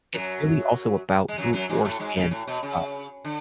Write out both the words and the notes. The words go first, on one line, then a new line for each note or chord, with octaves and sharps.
it's really also about brute force and, uh,
F#2 F#3
G#3
F#2 F#3
F#2 F#3
G#2 G#3
A2 A3
G#2 G#3
C#3
A2
B2
C#3
D3